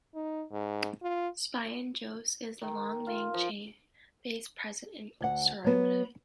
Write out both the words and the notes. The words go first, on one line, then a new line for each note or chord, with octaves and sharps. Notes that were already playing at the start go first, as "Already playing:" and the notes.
Sphingosine is the main long-chain base present in ceramide.
D#4
G#2
F4
D#3
F4
F3
D2 F#5
F#3 B3